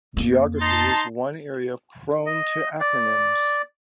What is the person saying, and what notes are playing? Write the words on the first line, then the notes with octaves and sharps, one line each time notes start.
Geography is one area prone to acronyms.
F2 A#3
D#4 A5 C6 A6
D#5
D5